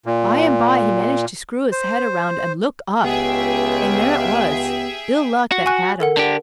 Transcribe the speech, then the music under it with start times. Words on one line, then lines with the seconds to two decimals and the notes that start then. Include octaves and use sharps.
By-and-by he managed to screw his head around and look up, and there it was Ill-Luck that had him.
0.06 A#2
1.72 C5
3.04 C#2 B3 G4 G#4 E5 G5
5.51 F#4
5.66 G#5 C#6 F#6
6.00 A4 A#4 F#5
6.17 D3 G4